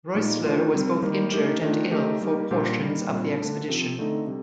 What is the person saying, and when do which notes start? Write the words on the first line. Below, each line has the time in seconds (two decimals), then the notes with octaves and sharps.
Roessler was both injured and ill for portions of the expedition.
0.14 A#2 G3 A#3 D#4
0.43 D#3 A3 D4 F4 C5
0.73 C3 G3 C4
1.02 D#3 G3 A#3
1.32 A3 D#4 G4 A#4
1.62 D#3 A3 D4 F4
1.91 D#3 A3 D#4 G4
2.21 G3 A#3 D#4 G4
2.51 A#2 G3 D4 G4 C5
2.80 D#3 G3 A#3
3.09 A#2 G3 C4
3.39 D3 A3 D4
3.68 C3 F3 C4
3.98 D3 A3 C4 D#4 A4
4.27 C3 G3